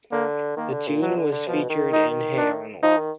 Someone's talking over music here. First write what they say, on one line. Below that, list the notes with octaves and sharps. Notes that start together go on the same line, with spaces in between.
The tune was featured in Hey Arnold!
D3 A#3
D#3 A#3
D3
A#2
B2 F#3
D3
D3
B2 F3
D#3
D#4
D4
F3 D#4
D#3